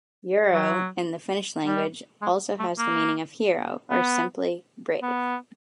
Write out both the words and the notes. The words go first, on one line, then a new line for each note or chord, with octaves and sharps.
"Urho" in the Finnish language also has the meaning of "hero" or simply "brave".
F#3
G3
G#3
A3
A#3
B3
B3